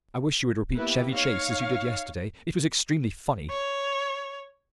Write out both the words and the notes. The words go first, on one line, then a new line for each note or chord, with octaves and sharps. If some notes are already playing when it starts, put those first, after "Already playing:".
I wish you would repeat Chevy Chase as you did yesterday: it was extremely funny.
A#3 B3 E4 G4 B4
D#4 C#5 F5
C#5